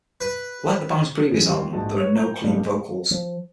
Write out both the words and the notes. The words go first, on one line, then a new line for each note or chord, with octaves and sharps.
Like the band's previous album, there are no clean vocals.
B4
F#2 E3 G#3
D#2 G3 C6
A#1 G#2 G#3 F#4 A5
B4 C#5 F7
A#5 G6 F7
F#1 B1 G3 A#3 D4
F3